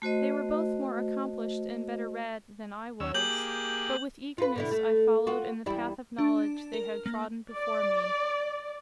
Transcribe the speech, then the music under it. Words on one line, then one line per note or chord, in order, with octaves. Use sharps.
They were both more accomplished and better read than I was; but with eagerness I followed in the path of knowledge they had trodden before me.
A3 F#4 C5 D#5
D#2 C#4 E6
A#3 G4 G#4 G6 F#7
F4 B4
B2 D3 E4
A3
F4 F#4
E2 G3 E4
D4
A#4
A#3
D5